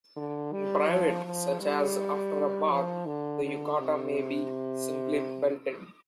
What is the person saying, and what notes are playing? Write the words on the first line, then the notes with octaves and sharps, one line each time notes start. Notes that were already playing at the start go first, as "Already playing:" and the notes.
In private, such as after a bath, the yukata may be simply belted.
D3
G3
F3
F3
G3
F3
D3
D3
C3